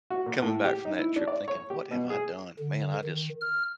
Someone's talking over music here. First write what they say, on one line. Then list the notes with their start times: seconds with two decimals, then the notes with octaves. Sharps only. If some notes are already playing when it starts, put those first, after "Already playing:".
coming back from that trip thinking, "What have I done? Man, I just"
0.10 F#4
0.26 A#2
0.42 A2
0.64 G4
0.85 D#4
0.99 E4
1.16 D4
1.28 D5
1.48 C#5
1.70 G4
1.91 B2
2.10 G#4
2.59 D3
3.04 D#3
3.41 F6